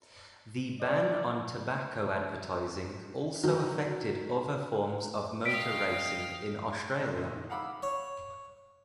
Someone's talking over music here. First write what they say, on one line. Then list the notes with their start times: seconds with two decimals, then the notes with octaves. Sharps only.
The ban on tobacco advertising also affected other forms of motor racing in Australia.
0.80 D5
3.43 D#3 F#3
5.45 D#5 F5 G5 B6 D7
6.95 D5 D#5
7.15 A#2 C#4 E4 D#5
7.36 D#3
7.50 F5 F#5 B5 D6 E6
7.82 C#5